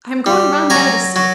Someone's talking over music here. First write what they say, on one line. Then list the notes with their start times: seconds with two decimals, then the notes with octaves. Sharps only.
I am going round now to see it.
0.26 G3
0.70 F#3 G#5 A#5
1.16 F#3